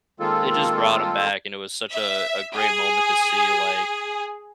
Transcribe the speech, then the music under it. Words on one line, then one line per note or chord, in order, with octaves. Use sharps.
it just brought him back, and it was such a a great moment to see, like,
D#3 G#3 A#3 C4 F4 A4
E5
G#4